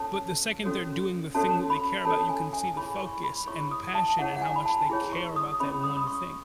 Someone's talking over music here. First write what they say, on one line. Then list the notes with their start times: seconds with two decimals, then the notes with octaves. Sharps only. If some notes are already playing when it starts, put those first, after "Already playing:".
But the second they're doing the thing that they care about, you can see the focus and the passion and how much they care about that one thing,
Already playing: C#4 F#4 A4 C#5 A5
0.64 C#4 F#4 A4 C#5
1.35 C#4 F#4 A4 C#5 A5
1.70 B5
2.05 C#4 F#4 A4 C#5 A5
2.29 G#5
2.53 G#5
2.77 E4 G#4 C#5 B5
3.00 C#6
3.24 B5
3.47 E4 G#4 C#5 C#6
3.71 D#6
3.95 A5
4.18 E4 G#4 C#5 F#5
4.36 F#5
4.42 G#5
4.56 B5
4.65 A5
4.90 E4 G#4 C#5
5.13 C#6
5.36 D#6
5.60 C#4 G#4 C#5 B5
5.83 D#6
5.97 D#6
6.07 C#6